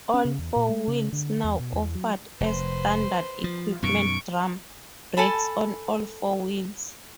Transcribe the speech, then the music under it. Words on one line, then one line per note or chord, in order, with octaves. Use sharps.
All four wheels now offered as standard equipment drum brakes on all four wheels.
C#4
C#3
E2
A#2
G#3
C#3
D3
E2
B2
E2
F#3
F1 B4 C5
F3
F#2 B2 D#3 C#6 D7
A4 G#5 A5 B5